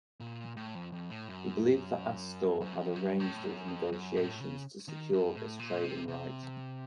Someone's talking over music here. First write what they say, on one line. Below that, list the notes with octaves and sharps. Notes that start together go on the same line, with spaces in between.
He believed that Astor had arranged all the negotiations to secure this trading right.
A#2
A2
F2
F2
A2
F#2
F#2
F2
F#2
A2
F#2
F2
F#2
A2
C#3
D#3
F#2
A2
A#2
C3
C3